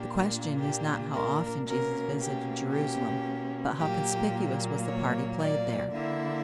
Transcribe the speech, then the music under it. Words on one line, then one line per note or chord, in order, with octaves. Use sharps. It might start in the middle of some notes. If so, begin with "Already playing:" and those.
The question is not how often Jesus visited Jerusalem, but how conspicuous was the part he played there.
Already playing: A#2 A#3 D4 G4
G4
A#4
B2 A#3 C#4 A#4
G4
G4
A#2 F#3 A#3 G4
C#5
D5
D3 A#3 E4 E5